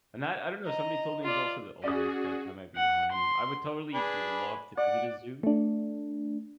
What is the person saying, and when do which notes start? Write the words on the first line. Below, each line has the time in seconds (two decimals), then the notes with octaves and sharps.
and I I don't know, somebody told me it was also the oldest, but I might be wrong, and I would totally love to visit a zoo.
0.66 D#5 A#5
1.24 F4 D5
1.84 C#4 F#4 G#4 D5 D#6
2.76 F#5
3.12 C6
3.94 D4 G#4 B4
4.77 D5 F#5
5.43 A3 D4